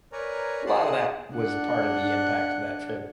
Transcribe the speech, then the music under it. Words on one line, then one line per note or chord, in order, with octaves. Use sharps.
a lot of that was part of the impact of that trip.
A#4 B4 C#5 D5 G#5 A#5
D#4 G#4 D5 F#5 A5 C6
D4 F#5